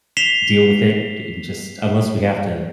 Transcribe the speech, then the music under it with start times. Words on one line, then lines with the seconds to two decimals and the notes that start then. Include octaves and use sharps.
deal with it and just unless we have to,
0.17 B6 C7 E7 F7 G7